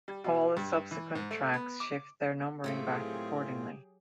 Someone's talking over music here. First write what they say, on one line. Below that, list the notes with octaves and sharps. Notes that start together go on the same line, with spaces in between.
All the subsequent tracks shift their numbering back accordingly.
G3
B2
G2
E3
G#2
A3
B3
D6
A2 F#3 A3 A#3 C4 F4 G4 G#4